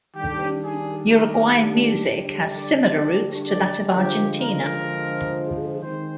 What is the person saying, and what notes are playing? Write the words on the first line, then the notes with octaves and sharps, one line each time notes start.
Uruguayan music has similar roots to that of Argentina.
D#3 G3 D4 G4
G#4
A#4
D3 G3 D4
D5
D5
D3 F3 G#3 G4
A#4
D#3 G#3 C4 C5